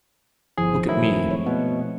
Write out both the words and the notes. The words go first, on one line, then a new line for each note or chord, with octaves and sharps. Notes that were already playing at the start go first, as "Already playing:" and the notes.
Look at me.
G1 F3 E4 G#4 C5
D#3 F#3 A3 E4 A4
G#3 A3 C4
C#5
B2 F#5